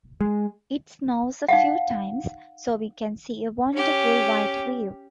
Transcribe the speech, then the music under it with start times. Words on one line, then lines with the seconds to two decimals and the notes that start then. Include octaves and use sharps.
It snows a few times, so we can see a wonderful white view.
0.21 G#3
1.49 D#4 F5 F#5
3.74 C#4 G4